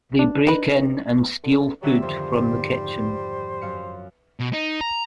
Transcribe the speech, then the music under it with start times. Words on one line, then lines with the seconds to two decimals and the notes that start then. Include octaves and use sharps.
They break in and steal food from the kitchen.
0.19 D4
0.47 D#4 B4
1.44 D3
1.83 D3 F#3 G3 E5 E6
2.02 G#1 F2 C5
2.34 G#2 G3
3.61 F#2 F5 C#7
4.40 B2
4.53 D#4
4.81 A#5